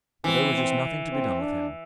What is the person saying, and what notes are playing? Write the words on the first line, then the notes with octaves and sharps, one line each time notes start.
But there was just nothing to be done with him.
E3 C4
C4
C4
D4